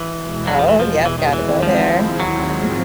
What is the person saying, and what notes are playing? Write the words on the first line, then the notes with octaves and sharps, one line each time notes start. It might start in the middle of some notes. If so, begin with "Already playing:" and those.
Oh, yep, gotta go there, uh-huh.
Already playing: E3
E2 B2 G#3
F#3
F3
E3
F3
E3
D#3
D#2 D#3 E3 G#3 C4 E4
F3
F#3
G#2 F3 G#3 C4 F4